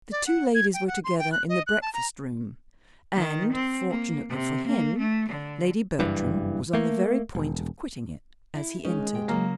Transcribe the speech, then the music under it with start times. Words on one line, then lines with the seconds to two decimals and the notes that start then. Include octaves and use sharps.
The two ladies were together in the breakfast-room, and, fortunately for him, Lady Bertram was on the very point of quitting it as he entered.
0.11 D5
0.26 F#5
0.55 G#6
0.74 G5
0.87 F#5
1.04 C6
1.19 G5
1.32 F#6
1.49 D#5
1.67 F#6
1.82 A5
1.94 A#5
3.15 D#3
3.53 C4
3.90 A#3
4.30 C3
4.67 A#3
4.98 A3
5.29 D3
5.99 F#1 G2 E3
6.73 A3 A#3
7.35 E1
8.55 E4
8.85 D#3 G#3 C#4 D#4
9.14 C3 G5
9.28 C#3 F#3 A#3